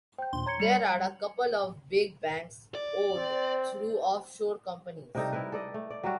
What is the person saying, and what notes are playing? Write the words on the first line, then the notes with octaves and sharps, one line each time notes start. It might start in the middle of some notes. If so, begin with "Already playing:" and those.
There are a couple of big banks owned through off-shore companies.
C5 G5 G6
D#2 A#2 D4 C6
C#5 A#5 G#6 C#7
G3 C#7 F7 F#7
D5
C4
C3 G3 D#4 A4
E4 A#4 B4
A4 D5 D#5
A3
D5
F#3 G3 F#4